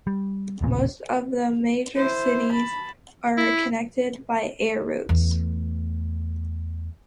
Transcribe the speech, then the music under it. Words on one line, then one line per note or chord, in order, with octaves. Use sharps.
Most of the major cities are connected by air routes.
G3
D#1 A1 A#2 C#3
E4 C5
A5 B5
E4
E2 A3